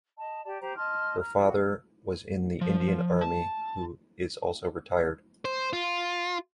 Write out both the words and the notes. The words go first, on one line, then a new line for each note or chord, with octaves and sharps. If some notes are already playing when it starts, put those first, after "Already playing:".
Her father was in the Indian Army who is also retired.
D#5 A5
G4 D5 A5
G4 C5 A#5
D#5 A5 C6 F6
A#5 F6
F#4
F3
A5
C5
F4